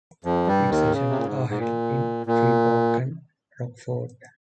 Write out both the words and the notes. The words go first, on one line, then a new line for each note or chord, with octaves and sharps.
Its sessions are held in Freeport and Rockford.
F2 F3
G2 G3
D#2 D#3
C#3
C3
A#2
G#2
G#2
A#2
A#2